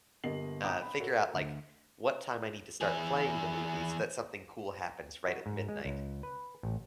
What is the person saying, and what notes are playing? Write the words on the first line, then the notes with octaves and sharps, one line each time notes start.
uh, figure out like what time I need to start playing the movie so that something cool happens right at midnight.
G1 A#3 G4 D#5 C7 F#7
G5 A#5 D6 D#6
B5
F#4 A4 A#4 C#5
D2
E3 G#4
F#4
G#2
G#3
C#2
B4
A1